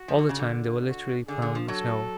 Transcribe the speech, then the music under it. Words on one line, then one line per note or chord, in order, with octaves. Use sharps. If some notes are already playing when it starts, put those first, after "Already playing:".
All the time they were literally ploughing the snow.
Already playing: F#4
F3
D3
C#3
D3
F#4
D3 G#4
D3
F3
F#3 A4